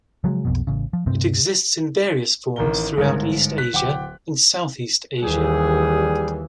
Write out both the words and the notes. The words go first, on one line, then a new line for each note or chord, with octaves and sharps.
It exists in various forms throughout East Asia and Southeast Asia.
C#3 F3 F#3 G#3
B1 F2 B2
A1 C#3
F3
D2 G2 C3 C4
A1 D#3 A#4 A#5 G7
G1 G#2 A#4 G#6
F#6 B6
D1 F#5 G5 D6
D#2 E3 G3 G#4